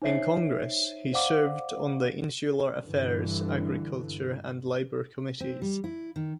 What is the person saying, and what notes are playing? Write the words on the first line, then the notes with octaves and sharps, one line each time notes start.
In Congress, he served on the Insular Affairs, Agriculture, and Labor committees.
D#4 C5 C#5 E5 C7
C5 D5 F5 F#5 D6
G2 D3 E3
C4
G3
E4
D#3